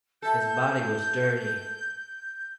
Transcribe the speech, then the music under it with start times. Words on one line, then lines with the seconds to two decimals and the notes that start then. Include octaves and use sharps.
His body was dirty.
0.22 A4 E5 G6